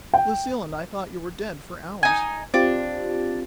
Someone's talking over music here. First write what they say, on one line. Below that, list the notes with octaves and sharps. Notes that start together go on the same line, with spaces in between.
Lucille and I thought you were dead for hours.
G5
D#4 G#5
C4 D4 F4 G4